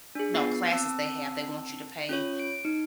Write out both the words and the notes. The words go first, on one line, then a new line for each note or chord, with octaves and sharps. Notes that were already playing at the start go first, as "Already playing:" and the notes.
no, classes they have, they want you to pay,
D4 G#4
B3 F4 C7
C4 A5 E6
C#4 F4 C#5
D7
D#4